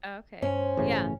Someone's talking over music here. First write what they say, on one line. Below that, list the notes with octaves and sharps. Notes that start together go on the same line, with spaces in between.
Oh, okay, yeah.
G2 C#4 C5
A1 A2 C#3